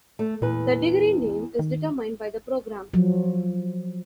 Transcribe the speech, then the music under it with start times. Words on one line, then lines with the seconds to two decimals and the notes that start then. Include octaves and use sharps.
The degree name is determined by the program.
0.19 A3
0.42 E2 A#2 B4
1.59 D#3
2.94 F3 F#3